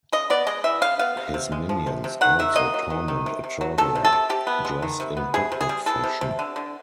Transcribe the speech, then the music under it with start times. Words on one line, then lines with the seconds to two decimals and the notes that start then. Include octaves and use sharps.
His minions also torment a traveler dressed in hip hop fashion.
0.12 C#3 D#5
0.30 B3 D5
0.47 G#3 D#5
0.64 E3 E5
0.81 C#3 F5
0.99 B3 F5
1.17 C3
1.34 C3
1.52 G#3
1.69 F3
1.87 C3
2.04 C3
2.21 D#3 F#5
2.39 D#3 E5
2.56 A#3 D#5
2.74 F#3
2.90 D#3
3.08 D#3
3.26 C3
3.44 C3
3.61 F#3
3.78 D#3 A4
3.96 C3
4.05 A4
4.13 C3
4.29 C3 G4
4.47 B3
4.65 G#3
4.82 D#3
5.00 C3
5.17 B3
5.34 C3 G#4
5.52 C3
5.61 G#4
5.69 G3
5.86 E3 A4
6.04 C3
6.21 C3
6.39 D3
6.56 D3